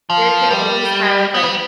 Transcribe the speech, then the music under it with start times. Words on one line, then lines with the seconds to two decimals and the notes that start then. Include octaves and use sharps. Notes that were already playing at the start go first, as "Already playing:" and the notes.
Where they always had, like,
0.10 F3
0.51 G3
1.34 B3
1.44 G3